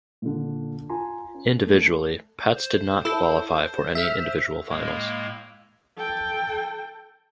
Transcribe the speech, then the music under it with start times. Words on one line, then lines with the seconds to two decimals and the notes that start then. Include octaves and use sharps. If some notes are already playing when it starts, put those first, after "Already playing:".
Individually Petz did not qualify for any individual finals.
0.22 A#2 D3
0.89 F4 G#5 A#5 C6
1.34 C#4
1.66 A3
2.55 C5
3.05 E4 A4
3.95 E5 F6
4.70 A2 G#3 A#3
5.97 A4 G5